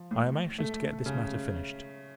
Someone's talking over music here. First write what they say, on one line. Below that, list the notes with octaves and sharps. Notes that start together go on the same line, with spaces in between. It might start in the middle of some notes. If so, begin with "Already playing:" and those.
I am anxious to get this matter finished.
Already playing: F3
A2
A3
C#3